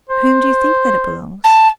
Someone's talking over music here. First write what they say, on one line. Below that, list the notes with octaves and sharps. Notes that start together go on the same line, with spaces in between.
"To whom do you think that it belongs?"
C5
A5